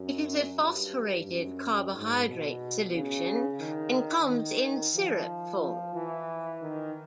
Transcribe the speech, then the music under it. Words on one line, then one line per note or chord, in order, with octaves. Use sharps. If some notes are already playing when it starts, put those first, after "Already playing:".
It is a phosphorated carbohydrate solution, and comes in syrup form.
Already playing: F#2
G2
F#2
G#2
B2
C#3
D#3
D#3
F3
F3
E3
D#3